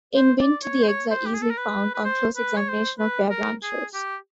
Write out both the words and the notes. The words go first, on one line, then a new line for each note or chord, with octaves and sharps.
In winter the eggs are easily found on close examination of bare branches.
C5
D5
C#5
C5
C#5
C5
G4
G#4
A4
A#4
B4
B4
C5
B4
C#5
C5
B4
A#4
G#4
G4